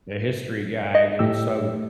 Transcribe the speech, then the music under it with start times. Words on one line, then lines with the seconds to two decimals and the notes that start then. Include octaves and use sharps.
a history guy, you know, so I would
0.95 D#5
1.19 A2 G4 E6